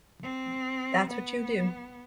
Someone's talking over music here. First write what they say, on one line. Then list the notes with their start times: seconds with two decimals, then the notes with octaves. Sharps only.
That's what you do.
0.23 C4
1.09 B3